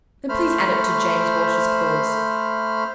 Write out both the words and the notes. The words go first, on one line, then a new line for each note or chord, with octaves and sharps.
Then please add it to James Walsh's clause.
A3 C5 B5 F6